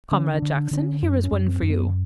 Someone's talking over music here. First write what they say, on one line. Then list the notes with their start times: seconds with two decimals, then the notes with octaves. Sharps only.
Comrade Jackson, here is one for you.
0.11 D3 C#4
0.34 D4
0.42 D3
0.57 D4
0.71 D3 D4
0.79 C#4
1.02 F#2 D4
1.24 C#4
1.32 F#2
1.47 C4
1.62 F#2
1.70 B3